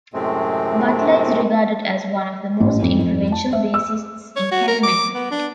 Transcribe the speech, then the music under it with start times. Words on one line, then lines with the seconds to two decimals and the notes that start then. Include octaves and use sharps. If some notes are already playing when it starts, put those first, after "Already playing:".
Butler is regarded as one of the most influential bassists in heavy metal.
0.14 F#2 A2 C3 G#3 A3 C4
2.60 A1
2.82 F2
2.99 F2
3.32 A5
3.53 E5
3.74 E6
4.36 C#5
4.51 F#4
4.68 A#4
4.83 D6
5.14 B3
5.31 D4